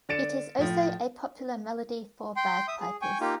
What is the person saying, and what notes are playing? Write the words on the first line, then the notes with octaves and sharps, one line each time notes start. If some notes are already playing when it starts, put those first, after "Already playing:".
It is also a popular melody for bagpipers.
D3 D4 A6 C#7 D7 E7
A2 F3
G5 C6
E5 D#6
G#4
G5 G#5 C#6
A#3 D#4 F4 G4